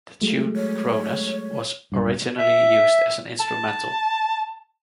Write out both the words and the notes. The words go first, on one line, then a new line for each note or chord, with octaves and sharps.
The tune Cronus was originally used as an instrumental.
F#3 G#3 A3
C#5
B1 G2
E5
A5